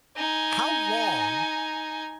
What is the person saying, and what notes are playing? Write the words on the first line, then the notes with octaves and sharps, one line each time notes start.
How long
D#4 G#5